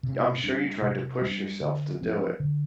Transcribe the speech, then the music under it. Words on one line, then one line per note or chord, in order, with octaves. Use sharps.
I'm sure you tried to push yourself to do it,
C3
G3 D4
C3
G3 D4
D3
F3 C4
D3